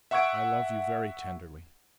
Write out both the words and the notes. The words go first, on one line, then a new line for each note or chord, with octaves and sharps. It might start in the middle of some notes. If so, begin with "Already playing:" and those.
I love you very tenderly.
E5 F#5 C#6 E6 G#6 D7